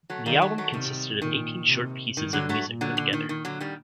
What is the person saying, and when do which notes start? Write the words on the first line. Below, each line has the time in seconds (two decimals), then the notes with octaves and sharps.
The album consisted of eighteen short pieces of music put together.
0.10 F#3 A3
0.26 D#3 G3 A#3
0.42 F#3 A3
0.58 F#3 A3
0.73 C3 D#3 G3
1.22 A#2 D#3
1.69 C3
2.17 G2 D#3
2.33 D3 F#3
2.49 F#3 A3
2.65 A#2
2.81 D3 F#3
2.97 D3
3.13 D#3
3.29 D#3
3.45 D3 F#3
3.60 D#3 G3